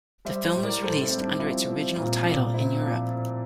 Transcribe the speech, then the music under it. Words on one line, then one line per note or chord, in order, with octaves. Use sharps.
The film was released under its original title in Europe.
G3 C5 E5
C5 E5
A2
A#4 D5
A2 A4 C5
D4
C4 E4
G3
D4
F3 C4 E4
F3 C4
A#2 C4
A#2 D4
A2 C4 E4
F3 D4
A2